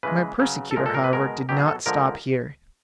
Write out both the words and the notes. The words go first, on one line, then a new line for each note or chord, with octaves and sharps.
My persecutor, however, did not stop here.
C#3 E3 G#3 B4
C#3 F#3
A4
A#2 F3 G#3 A#4
A4
A#4
B4
B2 G#3 A#4
B2 F#3 G4
G#4
A4
D3 F3 G#3 A#4